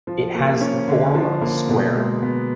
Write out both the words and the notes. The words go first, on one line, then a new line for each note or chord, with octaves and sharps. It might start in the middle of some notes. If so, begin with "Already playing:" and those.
It has a form of a square.
F3
A#3
C#4
D3
F3
A#3
B2
G#3
B3